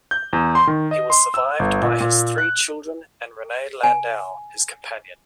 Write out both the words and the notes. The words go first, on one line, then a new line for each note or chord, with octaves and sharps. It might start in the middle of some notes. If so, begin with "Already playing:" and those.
He was survived by his three children and Renee Landau, his companion.
G6
E2
C6
D#3
D#5
C6
E6
G1
A#2
A#2
F#6
G#5